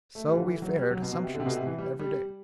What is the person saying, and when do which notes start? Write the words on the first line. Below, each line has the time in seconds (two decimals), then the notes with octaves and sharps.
So we fared sumptuously every day.
0.15 A3
0.27 G3
0.33 E3
0.37 D3
0.48 E3
0.62 F#3
0.77 G3
0.91 F#3
1.02 B2
1.13 B2
1.23 C3
1.34 D3
1.40 C3
1.46 B2
1.56 C3
1.67 E3
1.78 G3
1.99 G3